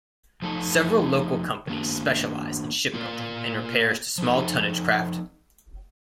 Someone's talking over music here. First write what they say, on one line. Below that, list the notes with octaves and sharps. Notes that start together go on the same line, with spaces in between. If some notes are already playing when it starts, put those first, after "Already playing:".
Several local companies specialise in shipbuilding and repairs to small tonnage craft.
F3 A3 D#4 A4
D#3 A#3 D4
A#3 F4 A#4 D5
F3 C4 D#4 A4